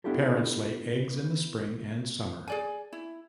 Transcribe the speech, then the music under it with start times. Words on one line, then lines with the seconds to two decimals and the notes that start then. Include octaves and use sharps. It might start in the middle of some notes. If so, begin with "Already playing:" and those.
Parents lay eggs in the spring and summer.
0.04 B3 D4 E4 F4 G4 A4
2.48 G#4 D5 G#5
2.93 E4